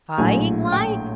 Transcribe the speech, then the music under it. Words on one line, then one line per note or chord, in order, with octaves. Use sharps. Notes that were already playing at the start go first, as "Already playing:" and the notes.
Spying like!
A#1 A2 F#3 G#5
G5